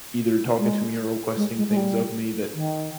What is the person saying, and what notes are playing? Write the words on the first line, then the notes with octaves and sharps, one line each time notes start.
either talking to me or requesting things of me that
G#3
G#3
G#3
G#3
G3
D#3